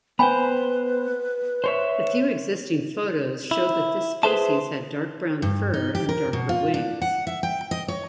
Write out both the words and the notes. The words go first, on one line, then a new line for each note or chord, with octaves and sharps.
The few existing photos show that this species had dark-brown fur and darker wings.
B3 B4 C5 G5 G#5 B5
C5 C#5 E5
E4
G#4 A4 B4 C5 E5 A5
G2
D#4
G4
A#4
B2
F4
D4
F#5
E5
G5
D#5
C#5